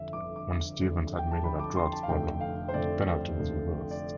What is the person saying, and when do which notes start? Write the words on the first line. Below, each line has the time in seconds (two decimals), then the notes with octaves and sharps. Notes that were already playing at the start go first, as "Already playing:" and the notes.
When Stevens admitted a drugs problem, the penalty was reversed.
Already playing: G1 F2 D3 E5
0.13 G1 F2 D3 D6
0.36 D6
0.78 G1 F2 D3
1.19 G5
1.31 A5
1.44 G1 F2 D3 B5
1.59 D6
1.76 C6
1.92 A5
2.03 F5
2.09 F1 F2 D3 A3 G5
2.40 F5
2.68 C5
2.73 F1 F2 D3 A3 D5
3.39 F1 F2 D3 A3
3.91 D5